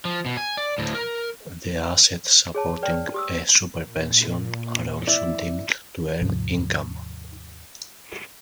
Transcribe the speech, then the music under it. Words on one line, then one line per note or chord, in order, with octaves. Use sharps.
The assets supporting a "super pension" are also deemed to earn income.
F3
B2
G#5
D5
D2 A2
A#4
G#4 C#5 A5
B4 D5 G5
G4 D#6 E6
A#2
E4 D5
D#2 G#2 C3 F3